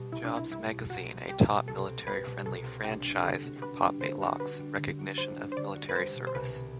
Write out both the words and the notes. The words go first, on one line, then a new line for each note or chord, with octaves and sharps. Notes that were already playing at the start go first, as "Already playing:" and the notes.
Jobs Magazine a top military friendly franchise for Pop-A-Lock's recognition of military service.
Already playing: B2 G3
C2 E4
D4
C4
E4
G3 E4
B2
C2 F#4
C4
G3 G4
B2
C2 A4
C4
G3 B4
B2
C2 A4
C4
D4 G4
G3
D3 A4
F#4
D4 B4
G3
D3 C5
F#4
D4 B4
G3
D3
F#4
D4 C5
G3
C5
D3 D5
F#4
B4
G3 C5
B2
C5
C2 B4
B3